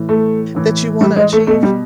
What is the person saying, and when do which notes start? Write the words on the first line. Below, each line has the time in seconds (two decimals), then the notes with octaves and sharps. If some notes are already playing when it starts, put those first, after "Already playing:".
that you wanna achieve?
Already playing: A2 E3
0.09 A3
0.55 A2 E3
1.01 G3
1.16 G#3
1.33 A3
1.47 B2 A3
1.63 G3